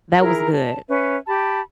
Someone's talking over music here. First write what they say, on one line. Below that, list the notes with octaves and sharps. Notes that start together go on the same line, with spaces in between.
That was good.
E4 G#4 A#4 A#5
A5
C#4 B4 E5
G4 A5 B5